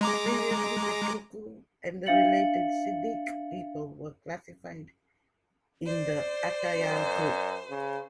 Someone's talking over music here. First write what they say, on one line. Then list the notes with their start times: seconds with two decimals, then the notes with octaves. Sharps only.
Previously, the Truku and the related Seediq people were classified in the Atayal group.
0.01 G#3 A#5 D6
2.06 D4 E5 F5 A6 C#7 F#7
5.86 C5 D5
6.77 F#2
7.70 C#3